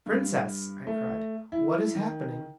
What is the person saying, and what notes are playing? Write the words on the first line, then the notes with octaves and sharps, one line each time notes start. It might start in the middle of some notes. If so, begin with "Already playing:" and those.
"Princess!" I cried, "what is happening?"
G2
A3
E4
D#3